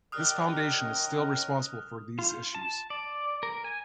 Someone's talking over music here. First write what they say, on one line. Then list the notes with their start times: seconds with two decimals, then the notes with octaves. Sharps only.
This foundation is still responsible for these issues.
0.12 D#3 G4 A#4 D5 D#6 F6 F#6
0.78 C#4 A#4 D#5
2.19 F4
2.55 A5
2.90 D5
3.43 A#4
3.64 G#5